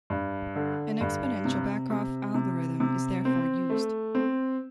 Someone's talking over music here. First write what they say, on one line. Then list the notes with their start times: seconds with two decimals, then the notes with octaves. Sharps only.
An exponential backoff algorithm is therefore used.
0.10 G2
0.56 D3
1.01 G2
1.45 C3
1.90 C3
2.34 C3
2.80 C3
3.25 C4
3.70 A3
4.15 C4